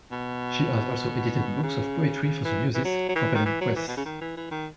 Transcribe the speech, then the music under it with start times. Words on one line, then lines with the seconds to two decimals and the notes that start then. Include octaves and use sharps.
She has also edited books of poetry for the Muses' Company Press.
0.12 B2
1.63 C#3
2.24 C#3
2.44 E3
2.75 E3
2.85 F#3
3.09 F#3
3.16 E3
3.35 D#3
3.45 E3
3.61 F#3
3.76 E3
3.88 B2
3.97 C#3
4.05 D#3
4.21 E3
4.37 E3
4.51 D#3